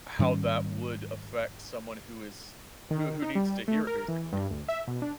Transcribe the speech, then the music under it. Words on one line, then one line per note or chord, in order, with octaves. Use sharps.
how that would affect someone who is who who needs to hear it basically.
G#2 D#3 G3 C#4
D#3
D#4
G3
A3
A#4
E3
G2
D2
E5
B2
D4